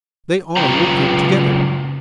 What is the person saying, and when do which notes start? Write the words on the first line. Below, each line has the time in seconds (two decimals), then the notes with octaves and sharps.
They are working together.
0.57 F#2 C#3 F4 B4 G5 A#5